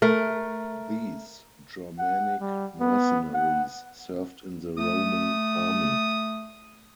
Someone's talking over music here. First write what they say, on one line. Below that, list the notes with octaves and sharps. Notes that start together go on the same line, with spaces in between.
These Germanic mercenaries served in the Roman army.
A3 A#4
F#5
G3
B3
F#5
A3 D#6